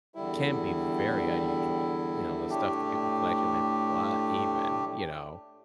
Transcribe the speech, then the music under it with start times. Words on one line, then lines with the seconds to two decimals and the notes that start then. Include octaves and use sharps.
can be very unusual, you know, the stuff that people collect, you're like, "What even?" you know,
0.15 E2 D3 G3 E4
2.49 A2 A3 D4 G4